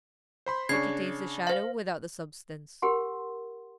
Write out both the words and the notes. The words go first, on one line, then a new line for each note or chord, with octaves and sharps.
It retains the shadow without the substance.
C5 B5 C6
C#3 D4 C#6 G#6 C7
C5 F5
G4 A#4 F#5 C6